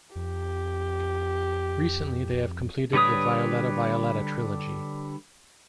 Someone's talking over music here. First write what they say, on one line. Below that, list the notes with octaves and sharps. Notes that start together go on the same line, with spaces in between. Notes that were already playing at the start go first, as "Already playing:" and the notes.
Recently they have completed the "Violeta Violeta" trilogy.
F2 G4
D3 G3 B4 C#5 D#6